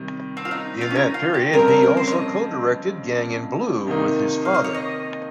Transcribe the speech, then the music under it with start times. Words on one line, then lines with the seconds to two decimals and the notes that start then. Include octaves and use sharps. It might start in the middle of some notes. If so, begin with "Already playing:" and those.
In that period he also co-directed "Gang in Blue" with his father.
Already playing: C3 D#3 G3
0.37 C4
0.45 F4
0.51 D#4
0.81 F4
0.91 C#4
0.96 D#4
1.14 F4
1.34 G4
1.53 F2 C#3 G3 C4 A#4
1.68 A#4
1.83 A#4
1.97 C5
2.08 C#5
2.12 D#5
3.87 C3 D#3 A#3 D#4
4.45 F5
4.54 D#5
4.64 C#5
4.74 D#5